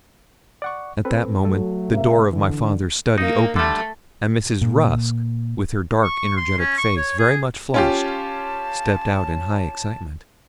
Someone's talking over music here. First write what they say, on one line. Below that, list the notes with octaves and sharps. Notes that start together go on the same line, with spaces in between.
At that moment the door of my father's study opened, and Mrs. Rusk, with her dark energetic face very much flushed, stepped out in high excitement.
D5 F#5 C#6
C4 A4 B4
F#3 A3 A4
C#2 C3 A#3 E5
D3 E3
A#3 D#4
D3 G3 A3
A#2
C#6
C6
C#4
C#6
C#5
G#4
C#4 F4 G4 A5